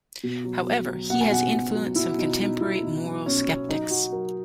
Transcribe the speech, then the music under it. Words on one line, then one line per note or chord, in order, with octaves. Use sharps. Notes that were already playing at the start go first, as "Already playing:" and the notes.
However, he has influenced some contemporary moral skeptics.
B2
F#3
B2
F#3
B2 F#5
G#5
B2 F#5
B2
F#3
F#3 E4
B2 D#4
B2 D#4
B2 E4
B2 D#4
F#3
B2 C#4
B2
F#3 D#4
F#3 F#4
F#3 A#4